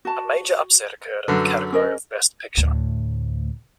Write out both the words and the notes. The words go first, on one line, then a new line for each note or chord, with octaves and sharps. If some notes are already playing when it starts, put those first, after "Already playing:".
A major upset occurred in the category of Best Picture.
F#4 A5
F#2 D3 B4
C#4 A#4 D#5
D2 A2